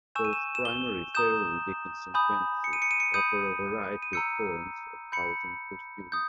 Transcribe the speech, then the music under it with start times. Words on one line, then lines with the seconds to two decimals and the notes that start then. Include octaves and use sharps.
Both primary Fairleigh Dickinson campuses offer a variety of forms of housing for students.
0.15 G#5 C#6 E6 G6 E7
0.25 D#7
0.33 E7
0.55 E7
0.65 G7
1.15 A#5 D#6 G6 E7
2.14 G#5 B5 D#6 G6
2.64 C#7
2.73 D#7
2.82 C#7
2.91 D#7
3.00 C#7
3.14 B5 D#6 G6 D#7
4.02 D#7
4.13 A#5 E6 G6 C#7
5.12 B5 G6 C#7
6.12 D#6 G6